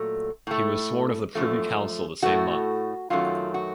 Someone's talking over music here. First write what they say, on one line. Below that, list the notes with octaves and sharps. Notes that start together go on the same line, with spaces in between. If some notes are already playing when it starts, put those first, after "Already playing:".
He was sworn of the Privy Council the same month.
Already playing: A#2 F#3 A3
A2 A3
F#2 F3 A3
A2 A3 F#4
F#2 D#3 F#3 A3 F4
F#4